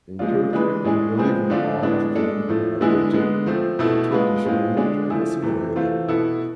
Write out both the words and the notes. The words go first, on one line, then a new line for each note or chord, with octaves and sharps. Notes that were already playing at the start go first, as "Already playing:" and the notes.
In Turkey they live in Artvin, adopted the Turkish language and assimilated.
F3 G#3 D4 F4
E3 G#3 D4 G#4 B4
A2 G#3 D4 G#4
F3 G#3 C4 G#4 B4
D3 F3 A3 D4 F4
A2 G#3 B3 D4
G#3 D4 A4
A2 F3 A3
D3 G#3 B3 E4 G#4
D3 G#3 B3
F3 A3 C4
B2 A3 E4
G#3 B3 F4 B4
A2 G#3 C4 F4
D3 G#3 D4 G#4
F3 A3 E4 G#4
C3 E3 A3
E3 A3 C4 F4
B2 B3 E4 A4